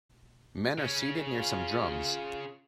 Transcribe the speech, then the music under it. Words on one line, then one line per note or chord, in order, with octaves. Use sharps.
Men are seated near some drums.
C#3 C#4
F4